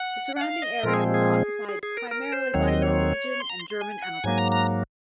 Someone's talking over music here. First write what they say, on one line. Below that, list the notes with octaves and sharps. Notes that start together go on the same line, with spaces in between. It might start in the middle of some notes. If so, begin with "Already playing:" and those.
The surrounding area was occupied primarily by Norwegian and German emigrants.
Already playing: F#5
F#5
F5
D#5
A#2 F3 G#3 C4 A#4
G#4
G#4
G#4
G#4
A#4
A#4
C5
D#2 D#3 F#3 C4 C#5
D#5
C#5
C6
A#5
C6
C6
G#5
F#5
G#2 F#3 A#3 G#5
A#5
A#5